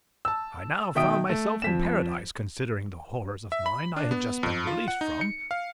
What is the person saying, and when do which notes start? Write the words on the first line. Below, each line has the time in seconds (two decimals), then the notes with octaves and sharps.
I now found myself in paradise, considering the horrors of mind I had just been released from.
0.25 A5 E6
0.95 B2 D#3 E5 G5 D#6 D7
1.29 A3
1.62 F2 B6 E7
3.52 E5
3.66 B5
3.96 D4
4.11 B3
4.43 F2
4.67 F4
4.88 F#5
5.01 D#4
5.21 C#7
5.51 F5